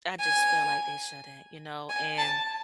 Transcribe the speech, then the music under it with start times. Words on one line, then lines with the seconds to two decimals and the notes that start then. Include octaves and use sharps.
I just feel like they shouldn't, you know, and
0.20 G#5
1.90 G#5
2.18 A5